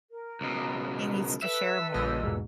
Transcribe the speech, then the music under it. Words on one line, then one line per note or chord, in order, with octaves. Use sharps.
he needs to share more."
A#4
C#2 B2
A4 B4 E5 E6
A#1 A#2 G3 D#5
E2 G#2 B2